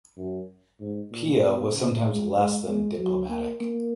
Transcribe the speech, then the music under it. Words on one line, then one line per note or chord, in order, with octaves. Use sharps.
Pilla was sometimes less than diplomatic.
F#2
G#2
A#2
B2
C#3
G#3
G#3
G#3
F#3
A#3
A#3